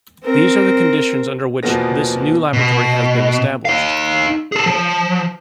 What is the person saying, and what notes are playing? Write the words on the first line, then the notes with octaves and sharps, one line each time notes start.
These are the conditions under which this new laboratory has been established.
C4 A#4
E2 B2 F3 A#3 B3 A#6
B2
D#4 F5
G#4 A4
F3